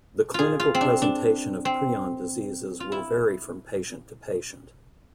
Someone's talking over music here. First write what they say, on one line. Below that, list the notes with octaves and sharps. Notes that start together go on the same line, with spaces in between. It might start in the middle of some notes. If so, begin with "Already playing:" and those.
The clinical presentation of prion diseases will vary from patient to patient.
F4 G#4
F4
C4
D4
D4
C4
F4
E4